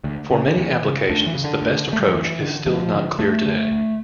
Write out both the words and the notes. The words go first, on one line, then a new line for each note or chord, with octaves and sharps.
For many applications, the best approach is still not clear today.
D2
C#3
D3
D2 E3
C#3
D2 D3
E3
C#3
D3
D2
C#3
A3
G3
F3
D2 E3
D3
D2 F3
D3
D2 A3
D3
D2